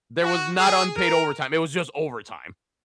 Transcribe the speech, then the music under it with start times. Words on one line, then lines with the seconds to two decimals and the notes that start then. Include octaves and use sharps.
There was not unpaid overtime, it was just overtime.
0.22 F#4
0.58 G#4
0.96 A#4